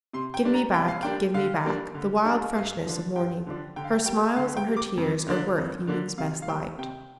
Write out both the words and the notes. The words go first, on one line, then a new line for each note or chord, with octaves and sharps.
"Give me back, give me back, the wild freshness of morning--Her smiles and her tears are worth evening's best light."
C3 C6
G5
G3 A#3 D4
A#5
C3 G5
F5
G3 A#3 D4 G5
D3 F5
G3 A#3 D4
D3
G3 A#3 D4
G2 F5
D3 F3 D4
G2 G5
D3 F3 D4
D3 G5
F5
G5
G3 A#3 G5
D3 F5
G5
G3 A#3
D6
F2
D3 A#3 D4
F2
D3 A#3 D4
C3 F5
F5
G3 A#3 G5
C3 G5